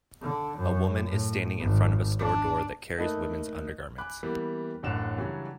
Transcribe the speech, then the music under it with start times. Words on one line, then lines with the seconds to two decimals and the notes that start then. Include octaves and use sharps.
A woman is standing in front of a store door that carries women 's undergarments.
0.22 D3
0.58 F#2
1.06 A2
1.59 G#1
2.19 D4
2.97 A3 A#3 D#4 A4 B4
3.98 G#5 B5 D6 F#6
4.23 E3 G3 A#3 B3
4.83 D1 A1 F#2 D4 E7 F7
5.18 C#3 E3 F#3 G3 C#4 D4